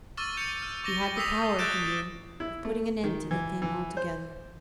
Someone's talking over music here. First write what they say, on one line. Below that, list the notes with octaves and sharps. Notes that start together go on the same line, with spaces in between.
He had the power, he knew, of putting an end to the thing altogether.
C#6 D6 E6 F6 A6 D#7
G6 C#7 F7
F6
C#6 D6 A#6 G7
D#6 E6 B6 C7 F7
E6 F#6 G6 A6 D7 E7
E4
A3
D#3
E3
E3
C5